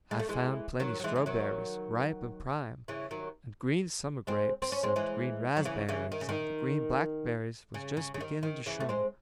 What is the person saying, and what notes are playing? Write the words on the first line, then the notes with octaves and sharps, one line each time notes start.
I found plenty strawberries, ripe and prime; and green summer grapes, and green razberries; and the green blackberries was just beginning to show.
G#3
A3
E3 G#3
D#3 F#3
F#3
E3 G#3
E3
D#3 F#3
C#3 E3
D#3 F#3
G#3 C4
C4
C#4
G#3 C4
E3 G#3
F#3
C#3 E3
C#3 E3
D#3
C#3
D#3
C#3
C#3
C#3
D#3
D#3
C#3 E3
A3
G#3 C4